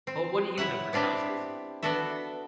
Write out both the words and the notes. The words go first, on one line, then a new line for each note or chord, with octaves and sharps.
but what do you have for consoles?
C4
E4 C#5 E5 F#5
B3 C4 D4 E4 G4
B3 D4 F#4 A4 E5